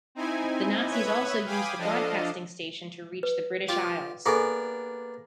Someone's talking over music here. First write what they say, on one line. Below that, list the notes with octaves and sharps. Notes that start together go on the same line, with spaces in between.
The Nazis also used the broadcasting station to reach the British Isles.
C4 D#4 E4 G#5
B4 C#5 E5 B5 D#6 G#6
F5 G5 G#5 B5 D6 D#6
F3 D4 A4 D#5 F5
B4
F4 G4
A#3 B3 D4 G#4 A4 G#5